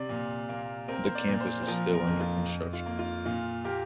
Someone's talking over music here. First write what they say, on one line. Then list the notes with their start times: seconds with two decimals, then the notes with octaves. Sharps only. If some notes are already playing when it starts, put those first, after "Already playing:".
The campus is still under construction.
Already playing: C3 D5
0.09 A#2
0.49 A#3
0.88 C4 A#4
1.04 C5
1.15 D5
1.27 A#2
1.40 C5
1.62 C5
1.67 F3 A#4
1.93 A#4
2.07 F2
2.19 F4
2.46 F2
2.73 F4
2.86 A#3
2.99 F4
3.25 A#2 F4
3.64 A#3 G4